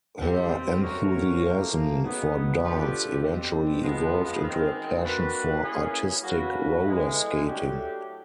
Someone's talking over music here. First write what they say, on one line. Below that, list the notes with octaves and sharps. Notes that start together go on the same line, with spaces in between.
Her enthusiasm for dance eventually evolved into a passion for artistic roller skating.
B2 G3 C4
A3 C#4 F#4 A#4 C#5
A2 F3 A#3
C#3 F#3 B3 D#4
F3 A3 D4 G4 B4
B2 G3 C4
F3 G#3 B3
F#2 D#3 G#3 C4
A#3 D4 F#4 B4
A#3 C#4 E4 G#4
F#3 A#3 C#4 F#4 B4
A2 E3 G#3 B3
A2 F#3 A3 D4 G4